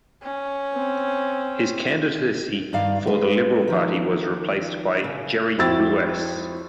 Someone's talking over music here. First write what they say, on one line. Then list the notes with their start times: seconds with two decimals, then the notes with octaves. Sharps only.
His candidacy for the Liberal party was replaced by Gerry Ruehs.
0.23 C#4
0.74 C4
2.73 G2 D#3 D5 F5
3.07 G#3 B4
3.68 D#3 F3
5.04 C#3
5.58 F2 E4 F#4 G5 E6 A6